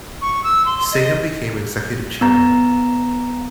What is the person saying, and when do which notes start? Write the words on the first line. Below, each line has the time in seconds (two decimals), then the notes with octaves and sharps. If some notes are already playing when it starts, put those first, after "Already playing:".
Singham became Executive chairman.
0.22 C#6
0.44 E6
0.66 C6
0.93 D#5
2.21 B3 A#5